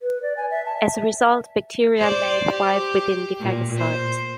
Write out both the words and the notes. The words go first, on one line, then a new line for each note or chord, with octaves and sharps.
As a result, bacteria may thrive within the phagocyte.
B4
D5
G#5
E5
A5
E5
C5 D5
G4
A#2
C5